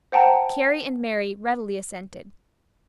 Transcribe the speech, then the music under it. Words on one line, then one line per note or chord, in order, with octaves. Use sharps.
Carry and Mary readily assented.
C5 F#5 G5 A5 A#5